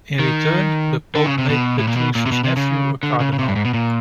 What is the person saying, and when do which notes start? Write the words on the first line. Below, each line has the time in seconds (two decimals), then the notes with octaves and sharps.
In return, the pope made Petrucci's nephew a cardinal.
0.19 D#3
1.15 D3
1.26 C#3
1.38 C3
1.50 B2
1.79 A2
1.88 A#2
1.96 B2
2.15 A#2
2.26 C3
2.32 B2
2.44 C3
2.57 C#3
3.03 D3
3.20 C#3
3.33 C#3
3.39 C3
3.48 G2
3.56 G#2
3.65 B2
3.74 A#2